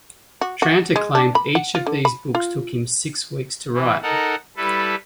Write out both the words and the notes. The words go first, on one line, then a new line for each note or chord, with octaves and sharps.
Tranter claimed each of these books took him six weeks to write.
F#4
F#4
G#3
D4
B5
F#5
F4
D3
B5
F4
E3
D#4 A4 A#4 F#5
G3 E4 A4 B4